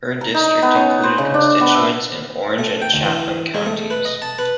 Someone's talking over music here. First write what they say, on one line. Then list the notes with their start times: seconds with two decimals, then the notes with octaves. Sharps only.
Her district included constituents in Orange and Chatham counties.
0.21 A#5
0.34 D#4
0.62 B3
0.76 C#4
1.03 C5
1.18 C#3
1.34 D4
1.61 B3
1.75 E5
2.59 A3
2.82 G5
2.94 D2
3.05 E3
3.54 G#3
3.66 A3
3.90 B4
4.05 D#5
4.22 A5
4.39 B4